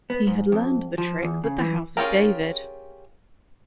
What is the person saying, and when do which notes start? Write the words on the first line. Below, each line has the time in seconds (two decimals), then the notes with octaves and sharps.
He had learned the trick with the House of David.
0.10 B3
0.27 G#2
0.52 F2
0.98 F3
1.23 E2
1.44 C#3
1.58 E3
1.97 C#4 F4 G4 G#4 A#4